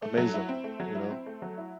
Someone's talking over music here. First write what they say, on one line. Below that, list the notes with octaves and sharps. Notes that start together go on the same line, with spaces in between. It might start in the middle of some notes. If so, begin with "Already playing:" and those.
amazing, you know?
A3
F#3
E4
C4
A3
F#3
E4
C4
A3
F#3
E4